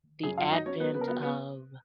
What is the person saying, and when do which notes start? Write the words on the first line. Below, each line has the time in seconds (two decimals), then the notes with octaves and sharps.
the advent of
0.23 F#2 G#4 G#5
0.38 F#2 F4 F5
0.52 F#3 D#4 D#5
0.66 F#3 C#4 C#5
0.80 F#3 B3 B4
0.94 C#3 B3 B4
1.01 A#4
1.08 F#3 B3 B4
1.22 B3 B4